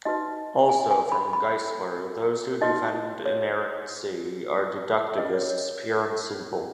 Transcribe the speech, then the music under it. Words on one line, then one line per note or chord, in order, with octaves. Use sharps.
Also, from Geisler:Those who defend inerrancy are deductivists pure and simple.
D#4 F#4 B4 D#5
G#5
G#5
B5
B5
D#4 F#4 B4 D#5
C#5
C#4 G#4 B4 D#5
C#5
C#5